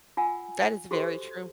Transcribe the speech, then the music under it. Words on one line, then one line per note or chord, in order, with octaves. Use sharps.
That is very true.
F4 F#5 G#5 E6
F#4 G4 A4 C5 C6